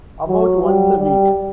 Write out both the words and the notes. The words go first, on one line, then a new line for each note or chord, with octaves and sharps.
About once a week.
F#3
G3
G3